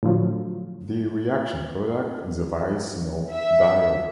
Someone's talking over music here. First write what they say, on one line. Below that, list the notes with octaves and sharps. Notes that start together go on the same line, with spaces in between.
The reaction product is a vicinal diol.
A2 D3 F3 F#3
E5